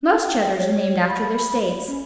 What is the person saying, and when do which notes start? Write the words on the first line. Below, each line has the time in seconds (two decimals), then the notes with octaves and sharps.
Most Cheddars are named after their states.
0.18 G5
0.57 C#5
1.08 B5
1.87 C#4